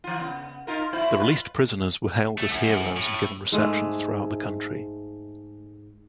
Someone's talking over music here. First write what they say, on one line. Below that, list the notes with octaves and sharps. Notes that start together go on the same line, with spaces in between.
The released prisoners were hailed as heroes and given receptions throughout the country.
E3 F4
C#3 B3
D#4 F4 A#4
B2 E4 C5
F4 B4
A3
F#2
A2
G#2 G#3 A3